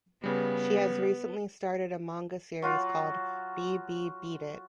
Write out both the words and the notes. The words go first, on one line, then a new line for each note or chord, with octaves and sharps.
She has recently started a manga series called Bee-be-beat it!
C#3 G3 B3
F#3 F4 F#4